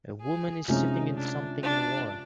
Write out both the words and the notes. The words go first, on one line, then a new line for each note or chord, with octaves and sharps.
A woman is sitting in something in water.
G#4
C3 F3 G#3 C#4 D#4
D4
D4